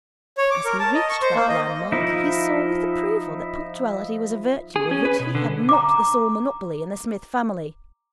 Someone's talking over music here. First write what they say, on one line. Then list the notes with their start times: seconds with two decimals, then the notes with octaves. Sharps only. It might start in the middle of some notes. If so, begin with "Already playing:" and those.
As he reached that land-mark he saw with approval that punctuality was a virtue of which he had not the sole monopoly in the Smith family.
0.38 C#5
0.51 D6
0.65 A#4
0.80 A5
0.94 D#5
1.09 C#6
1.22 C5
1.35 A#3
1.49 D#5
1.92 F3 D#4 E4
4.76 G#4
4.91 C#4
5.05 B4
5.20 B2
5.35 D3
5.69 A#5 D6